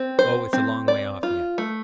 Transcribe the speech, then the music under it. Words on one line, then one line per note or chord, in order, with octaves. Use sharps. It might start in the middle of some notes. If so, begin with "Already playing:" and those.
Oh, it's a long way off yet.
Already playing: C4
C5
C4
D5
F4
A3